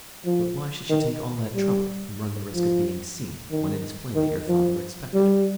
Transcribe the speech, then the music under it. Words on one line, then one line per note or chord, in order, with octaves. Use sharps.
"But why should she take all that trouble, and run the risk of being seen, when it is plain that your father expected her?"
F3
D#3
G3
F3
D#3
D#3
F3
G3